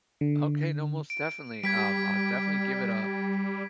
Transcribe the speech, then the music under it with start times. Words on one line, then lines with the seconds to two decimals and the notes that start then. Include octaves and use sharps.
Okay, no, most definitely. Um, I'll definitely give it, a
0.21 D3
1.10 D7
1.63 G3 G#6 B6 D7